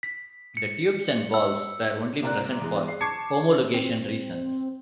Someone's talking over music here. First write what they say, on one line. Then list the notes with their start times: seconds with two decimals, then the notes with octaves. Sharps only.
The tubes and valves were only present for homologation reasons.
0.03 B6
0.57 C#7
1.34 E6
2.22 C3 A#3 A#4 D5 F#6
2.61 E2 G#3
2.88 C7
3.01 A5 C#6 D6 G#6 C7 C#7
3.74 C4